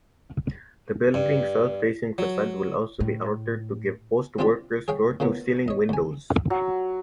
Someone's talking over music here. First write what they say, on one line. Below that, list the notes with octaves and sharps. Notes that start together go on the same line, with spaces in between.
The building's south-facing facade will also be altered to give "Post" workers floor-to-ceiling windows.
G2
F#3
A2
C4 D4 F4 G4 D5 B5
G#4 C#5 F5 G5
A#2 C#3 A#3 B3
C#5 D#5
D2 G#5
F#3